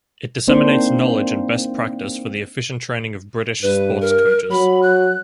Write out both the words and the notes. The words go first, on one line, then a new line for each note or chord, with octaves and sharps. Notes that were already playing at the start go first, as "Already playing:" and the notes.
It disseminates knowledge and best practice for the efficient training of British sports coaches.
A#3 C4 D4 D#4 C5
G2 B4
A#4
F#3 B5
F#6